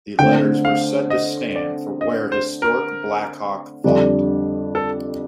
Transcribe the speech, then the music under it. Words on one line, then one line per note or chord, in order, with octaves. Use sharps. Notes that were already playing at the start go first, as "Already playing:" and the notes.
The letters were said to stand for Where Historic Blackhawk Fought.
D3 A3 C4 G5
F5
D#5
D5
D#5
C5
A#4
F2 D3 G3 D4
A4